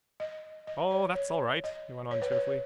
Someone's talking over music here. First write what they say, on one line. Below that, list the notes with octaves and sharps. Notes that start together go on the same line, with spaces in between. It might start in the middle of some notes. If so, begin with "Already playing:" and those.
"Oh, that's all right," he went on cheerfully.
D#5
D#5
C#5
C#5
D#5
C#5
B4
C#5